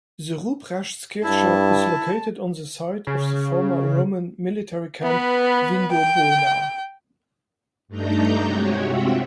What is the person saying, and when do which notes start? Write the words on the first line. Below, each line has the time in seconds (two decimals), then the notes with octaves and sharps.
The Ruprechtskirche is located on the site of the former Roman military camp Vindobona.
1.24 G2 E4 A5
3.07 C#3
5.02 B3 B4
5.92 G5
7.88 G2 A3 D4 D#4 A#5 G6
8.44 C3 G#3 F#4 G4 C#5
8.85 C4 F4 F#4 E5 F#5 G5